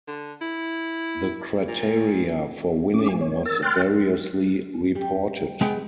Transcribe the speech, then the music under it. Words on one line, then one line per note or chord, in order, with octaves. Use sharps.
The criteria for winning was variously reported.
D3
E4
A#2
C#4 D6
G#5
C#5
A#4 E6 A6
G5 C6 F6 F#6 A6
G3
G#3 B3 G5